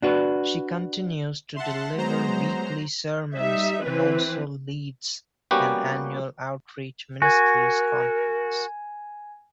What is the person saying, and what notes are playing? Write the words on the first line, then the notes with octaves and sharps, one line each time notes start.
She continues to deliver weekly sermons and also leads an annual outreach ministries conference.
D4 F#4 B4
E5 F#5 A5 C6
F#3 G#3 B3 C5 A#5
G3 D#4 E5
E3 C4 B4
G3 A#3 B3 C#4 F#4 G4
F#4 A#4 G#5 G#6